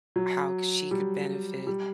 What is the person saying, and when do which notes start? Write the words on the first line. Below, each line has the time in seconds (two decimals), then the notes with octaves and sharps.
how c she could benefit
0.16 F#3
0.91 G3
1.67 G3